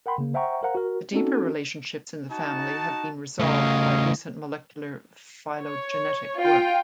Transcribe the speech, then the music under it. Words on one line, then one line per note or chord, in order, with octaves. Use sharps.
The deeper relationships in the family have been resolved by recent molecular phylogenetic work.
A#4 F#5 G5 B5 C6
C#3 A#3
C5 E5 F#5 G5 A#5 C#6
A#4 C5 F5 F#5 A#5
F#4 A#4
C4 C#4 D#4 F#4 A4
D#4 F#4 A5
C#3 A3 C#5 D#5 F5
C#5
F4 G5